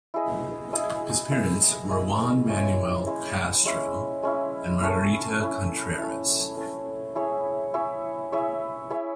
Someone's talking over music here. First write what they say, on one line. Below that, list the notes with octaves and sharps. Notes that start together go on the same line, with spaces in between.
His parents were Juan Manuel Castro and Margarita Contreras.
E4 G#4 D#5
E4 G#4 D#5
E4 G#4 D#5
E4 G#4 D#5
G#3 C#4 E4
G#3 C#4 E4
G#3 C#4 E4
G#3 C#4 E4
A3 C#4 E4
A3 C#4 E4
A3 C#4 E4
A3 C#4 E4
E4 G#4 C#5 E5
E4 G#4 C#5 E5
E4 G#4 C#5 E5
E4 G#4 C#5 E5